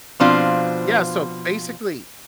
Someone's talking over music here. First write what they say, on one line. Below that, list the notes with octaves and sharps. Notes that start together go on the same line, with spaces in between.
Yeah, so basically
B2 F3 C4 D4 F4